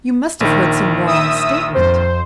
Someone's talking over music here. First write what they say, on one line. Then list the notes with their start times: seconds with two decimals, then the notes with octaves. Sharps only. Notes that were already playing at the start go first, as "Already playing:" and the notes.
'You must have heard some wrong statement.
0.41 A#1 D#3
1.06 E5 D#6 E6
1.74 F2 C5